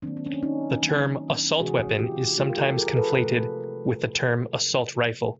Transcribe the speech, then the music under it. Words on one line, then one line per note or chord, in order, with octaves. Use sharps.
The term "assault weapon" is sometimes conflated with the term "assault rifle".
D#3 F#3 A#3 C4 D4
C4
C#4
D4
C#4 D#4
D#3 F#3 A#3
C3 E3 G#3 F#4 G#4
F4 G4
C3 E3 G#3 F4 G4
A#4
G4 A4
G#4 A#4
A4 B4
C3 F3 A3